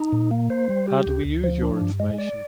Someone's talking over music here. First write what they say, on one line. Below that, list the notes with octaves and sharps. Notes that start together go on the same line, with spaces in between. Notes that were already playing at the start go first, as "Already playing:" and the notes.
How do we use your information?
Already playing: D#4
A#2
A#3
C5
G3
G4
D2
D2
F3
D4
G2
G#3
D5